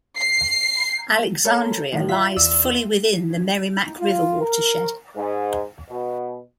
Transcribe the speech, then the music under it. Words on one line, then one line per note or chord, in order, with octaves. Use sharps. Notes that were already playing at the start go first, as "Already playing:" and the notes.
Alexandria lies fully within the Merrimack River watershed.
C7
A4 A#4 C#5
A2 D#3 E3
F4 E5 F5 B6
E2 D5 E6
F4
A#4
G#2
B2